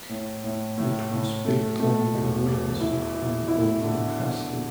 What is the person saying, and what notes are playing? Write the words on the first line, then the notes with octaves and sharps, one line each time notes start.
It was built on the ruins of an older castle.
A2
A2
A2
A2
A3
A3
E1
E2
E4
E4
E4
D3